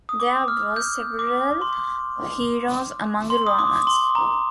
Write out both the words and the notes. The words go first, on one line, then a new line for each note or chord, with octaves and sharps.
There were several heroes among the Romans.
D#6
D6
F6
G6
D6
C6
C6
D#6
D6
C6
A#5